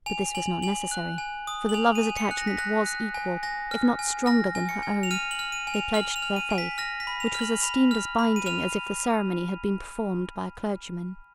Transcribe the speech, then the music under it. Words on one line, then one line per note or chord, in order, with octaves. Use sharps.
But this was not necessary, for the lover's attachment was equal, if not stronger than her own; they pledged their faith, which was esteemed as binding as if the ceremony had been performed by a clergyman.
G#5 F7
G#5 F#7
G#5 F#7
F#6
G#5
D#6
F#7
G#5 F7
D#7
G#5
C#7
F#6
A#6
B6
F#6 A#6
F#6
G#5
G#5 A#6
F6
G#5
F6 A#6
G#5
C#7
G#5
F7
F6 D#7
F#7
F6
D#7
G#5
F7
F6 F#7
F7
F6
D#7
G#5
B6
F6 A#6
B6
B5
F7
F6
F#7
B5 F7
F6
B5
D#7
F6 F7